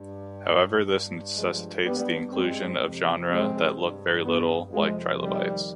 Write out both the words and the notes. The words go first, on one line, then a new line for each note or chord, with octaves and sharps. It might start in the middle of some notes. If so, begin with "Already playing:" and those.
However this necessitates the inclusion of genera that look very little like trilobites.
Already playing: G2
G2
F3 G#3
G2 G3 B3
G#3 C4
F2 C3
G#3 C4
G2
G3 B3
F2 C3 F3 G#3
D#3 G3